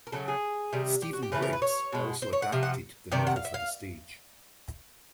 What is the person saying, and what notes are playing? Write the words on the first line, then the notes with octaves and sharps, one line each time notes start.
Stephen Briggs also adapted the novel for the stage.
A#4
C#3 F#3 A3 A4
G#4
C3 D#3 G3
G4
F#4
G4
C#3 E3 A3 B4
A#4
B4
C#5
B2 G#3
C5
C#5
F#5
C3 F3
F#5
C3 D#3 D5
F#5
F5
E5
F5